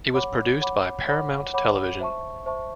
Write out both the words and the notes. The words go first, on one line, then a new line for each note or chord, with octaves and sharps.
It was produced by Paramount Television.
C#5 F#5 B5 D6
C#5 F#5 B5 D6
C#5 F#5 B5 D6
C#5 F#5 B5 D6
C5 E5 A5 C#6
C5 E5 A5 C#6